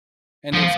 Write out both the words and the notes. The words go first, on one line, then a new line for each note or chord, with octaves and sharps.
And it's,
F3